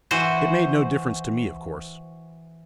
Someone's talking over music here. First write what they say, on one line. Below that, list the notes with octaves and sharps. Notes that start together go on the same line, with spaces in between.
It made no difference to me, of course.
E3 F#4 C5